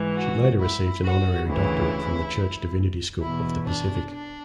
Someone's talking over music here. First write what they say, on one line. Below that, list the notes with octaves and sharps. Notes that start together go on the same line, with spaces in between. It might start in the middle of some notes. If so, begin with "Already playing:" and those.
She later received an honorary doctorate from the Church Divinity School of the Pacific.
Already playing: G#2 E3
F#4
E4
F#4
D2 C#3 E3 E4
E2 B2 E4
D4
D4